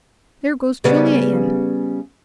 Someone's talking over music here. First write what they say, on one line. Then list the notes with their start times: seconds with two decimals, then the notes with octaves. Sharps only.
There goes Julia in.
0.84 C#3 G3 B3